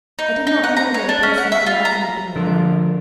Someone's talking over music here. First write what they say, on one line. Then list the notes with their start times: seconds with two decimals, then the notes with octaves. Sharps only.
I did not know that a person could like anything that hurt her.
0.19 D#4
0.47 D#4
0.64 F#5
0.77 A#5
0.94 C#5
1.09 D4
1.23 C#4
1.38 F#5
1.52 E5
1.66 F4
1.85 A#5
2.36 D3 F3 D4 F4 A4 A#4